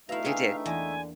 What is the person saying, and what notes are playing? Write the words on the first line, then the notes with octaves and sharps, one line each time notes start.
They did.
B2 A3 D#4 E4 E5 F5 A#5
E3 D4 G4 G#4
E2 D3 A#3 G#5